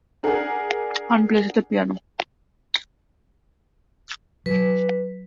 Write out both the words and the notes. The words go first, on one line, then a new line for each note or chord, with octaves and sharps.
Han plays the piano.
D4 G#4 A#4 F#5
F#3 B4